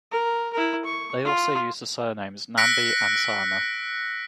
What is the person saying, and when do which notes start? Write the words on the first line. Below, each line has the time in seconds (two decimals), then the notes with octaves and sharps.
They also use the surnames Nambi and Sarma.
0.12 A#4
0.53 E4 A#4
0.85 C#6
1.25 F4
2.57 E6 F#6 A#6 B6 C#7 D7